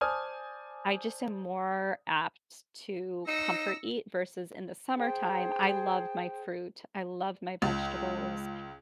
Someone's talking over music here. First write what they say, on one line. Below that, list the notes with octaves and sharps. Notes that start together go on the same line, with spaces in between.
I just am more apt to comfort eat versus in the summertime; I love my fruit, I love my vegetables,
C5 D5 G#5 A5 D#6 F6
D#4 E6 A#6 C#7
G#4 C5 G5 A5
C#2